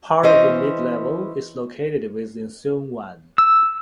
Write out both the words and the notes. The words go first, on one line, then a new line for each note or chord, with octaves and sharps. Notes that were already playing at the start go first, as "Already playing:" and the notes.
Part of the Mid-Levels is located within Sheung Wan.
E3 C#4 C5 D#5
E6